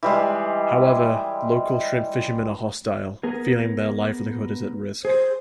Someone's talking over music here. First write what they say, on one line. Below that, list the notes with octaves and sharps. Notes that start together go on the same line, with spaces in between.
However, local shrimp fishermen are hostile, feeling their livelihood is at risk.
E3 G3 G#3
B3 G#4 A#4
G#4 C5